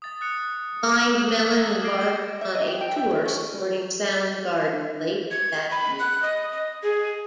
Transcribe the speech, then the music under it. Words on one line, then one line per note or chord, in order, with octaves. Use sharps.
Blind Melon embarked upon a tour supporting Soundgarden late that year.
D#6 A6
D#6 F#6 C#7
G#6 E7 F#7
A6
E6
D6 F6 G#6 A#6 C7 D7
E5
D#5
G4
G5
E5
E3
C#4
G#6
B5
F#6
D#5
D#5
G#4